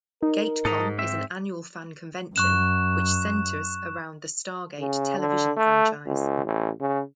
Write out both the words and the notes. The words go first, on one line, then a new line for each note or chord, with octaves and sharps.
Gatecon is an annual fan convention, which centeres around the "Stargate" television franchise.
D#4 A#4
G#2 A4 D#5 A#5
C4 E5
F#2 C#6 F#6 E7
C#3
D3
A3
C#2
A1
C#3